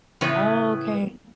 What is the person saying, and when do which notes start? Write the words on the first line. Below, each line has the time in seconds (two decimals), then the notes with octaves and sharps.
Oh, okay.
0.21 A2 C#3 E3 B3 B4 C#5